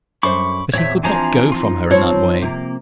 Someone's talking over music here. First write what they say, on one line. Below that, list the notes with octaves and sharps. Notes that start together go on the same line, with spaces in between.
But he could not go from her in that way.
F#2 C5 B5 C#6 D6
E2 A#2 C4 C#5 E5
E3 F3 C4 D4 G#5 A#5
D#4 F4
F3 C4 C#5
C3 A#3